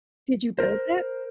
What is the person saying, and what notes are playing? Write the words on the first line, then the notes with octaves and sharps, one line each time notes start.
Did you build it?
A#4 C5